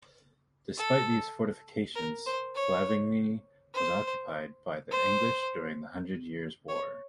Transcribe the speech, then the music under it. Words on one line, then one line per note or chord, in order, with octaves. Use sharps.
Despite these fortifications, Flavigny was occupied by the English during the Hundred Years' War.
A4
A#4
C5
C#5
C5
C5
C#5